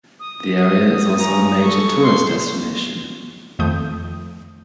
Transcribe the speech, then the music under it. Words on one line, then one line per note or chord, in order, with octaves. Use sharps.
The area is also a major tourist destination.
D#6
C#4 A#5
A4 C#6
C6
F2 D#3 F3 A3 D#6 G6